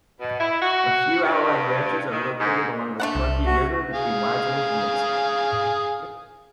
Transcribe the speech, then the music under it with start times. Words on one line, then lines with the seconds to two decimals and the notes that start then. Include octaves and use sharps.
A few outlying ranches are located along the Truckee River between Wadsworth and Nixon.
0.20 B2
0.40 E4
0.62 F#4
1.23 G2
2.11 D#3
2.39 G#2
3.00 A3 D4 F#5
3.15 C2
3.46 F#4
3.94 G#4 F5